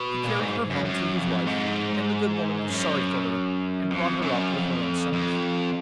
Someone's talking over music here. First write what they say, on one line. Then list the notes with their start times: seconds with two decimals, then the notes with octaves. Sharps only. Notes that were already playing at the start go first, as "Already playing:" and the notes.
He carried her home to his wife, and the good woman was sorry for her, and brought her up with her own sons.
Already playing: B2
0.24 A#2
0.39 G#2
0.70 F#2
0.85 F#2
1.16 F2
1.46 G#2
2.69 F#2
3.90 F2
4.22 F#2
4.52 F2
5.13 F2